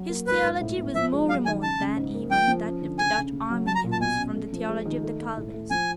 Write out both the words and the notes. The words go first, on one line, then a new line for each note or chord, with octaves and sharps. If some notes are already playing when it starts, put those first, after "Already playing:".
His theology was more remote than even that of the Dutch Arminians from the theology of the Calvinists.
Already playing: F#3
A#3
G#2 B4
G#2
A2
B3
F3 E5
G#3
F#3 F5
D#3 G#5
C#3 A5
C#3
G#2
A#3
F3 G5
F3
C#4
D3
C#3 G#5
C#3
C#3
F#3
F#3 A5
A#5
A#2
A5
B2 G#5
C#4
A3
F3
G#3
D#3
A3
A3
A2
A3
F3 G#5